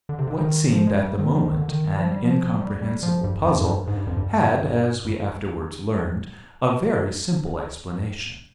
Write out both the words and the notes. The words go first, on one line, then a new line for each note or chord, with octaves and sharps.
What seemed at the moment an incomprehensible puzzle had, as we afterwards learned, a very simple explanation.
D3
C3
D3
D#3
F3
G#3
G3
D#3
F3
D#3
D3
D#3
F3
G3
F3
G3
G3
F3
G2
F2
G#2
G2
G#2
G2
F2
G2
G2